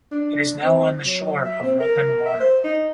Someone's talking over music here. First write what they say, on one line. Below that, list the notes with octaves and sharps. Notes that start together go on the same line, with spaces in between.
It is now on the shore of Rutland Water.
D4
C4
F#3
E5
C4
A#4
E5
C5
D#4